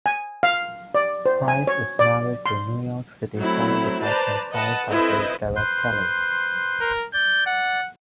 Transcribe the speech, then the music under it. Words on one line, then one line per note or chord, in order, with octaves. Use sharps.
Price is married to New York City Fire Department firefighter Derek Kelly.
G#5
F5
D5
C5
G#5
C#5
D5
C6
F#3 A3 C4 E4
B4 C5 D5 A5 A#5
B4 D#5 F#5 A5
C4 E4 A4 B4 C5 D#5
B4 C5 C6
A#4
D5 G6
F#5